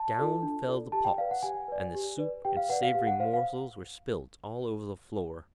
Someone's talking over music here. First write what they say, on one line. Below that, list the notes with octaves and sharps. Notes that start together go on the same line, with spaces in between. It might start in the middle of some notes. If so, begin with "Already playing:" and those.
Down fell the pots, and the soup and savoury morsels were spilt all over the floor.
Already playing: A5
F4 A4 D5
D4
F4 A4 D5
G4 A5
G5
B4 D5 F5
F#5
G4 G#5
B4 D5
G4
B4 D5
G4 G5
F5
B4 D5 F#5
F5
G4 F5
F#5
C5 F5
F5